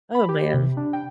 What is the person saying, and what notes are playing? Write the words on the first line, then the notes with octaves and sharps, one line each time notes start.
Oh, man.
B5
G4
C3
D4
G5